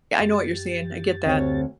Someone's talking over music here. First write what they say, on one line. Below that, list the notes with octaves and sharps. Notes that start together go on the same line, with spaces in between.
I know what you're saying, I get that.
F#2 G4 A6
D2 C4 C#5